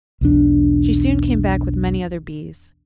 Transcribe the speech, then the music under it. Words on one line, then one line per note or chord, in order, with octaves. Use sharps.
She soon came back with many other Bees.
B1 E2 D4